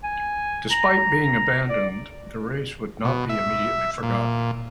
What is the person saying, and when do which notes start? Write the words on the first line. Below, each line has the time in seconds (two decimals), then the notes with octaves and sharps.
Despite being abandoned, the race would not be immediately forgotten.
0.03 G#5
0.70 A#5
1.24 A#5
1.69 D5
3.04 B2
3.29 E5
4.03 A#2